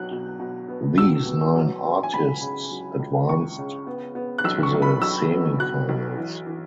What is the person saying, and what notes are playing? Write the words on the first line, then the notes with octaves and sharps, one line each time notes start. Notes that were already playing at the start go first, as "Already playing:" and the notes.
These nine artists advanced to the Semifinals.
Already playing: B1 B2 F#3 F#6
B2
B2
B3
B2 E6
B3
F#3
F#3
G#5
C#2 B5
C#3
F#3
C#2
C#2 C#6
C#3
B3
B3
F#6
B1 E6
C#6
B1
B5
B1 E6
B3
B2 F#6
B1
E3
E3